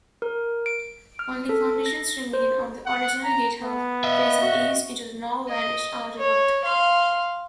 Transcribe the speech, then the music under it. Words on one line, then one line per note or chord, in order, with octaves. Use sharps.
Only foundations remain of the original gatehouse, facing east into the now-vanished outer ward.
A#4
D7
F6
A4
A#6
C5
F#5
A#5
B3
D#5 E5
F#4
D#5
C#5
F5 C6